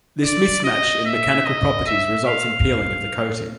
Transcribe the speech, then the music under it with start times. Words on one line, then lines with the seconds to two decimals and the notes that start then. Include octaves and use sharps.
This mismatch in mechanical properties results in peeling of the coating.
0.23 D5
0.64 D#5
1.05 E5
1.45 D#5
1.87 E5
2.27 F5